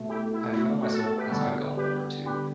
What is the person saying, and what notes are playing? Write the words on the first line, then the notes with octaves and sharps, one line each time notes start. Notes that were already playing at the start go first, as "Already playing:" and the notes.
I've found myself, as I've gotten older too,
Already playing: B2 A3
E4 G4
E4
E4
F#4
F#4
F#4 A4
F#4 A4
G4 B4
D3 G3 B3 F#4 A4
G4 B4
G4 B4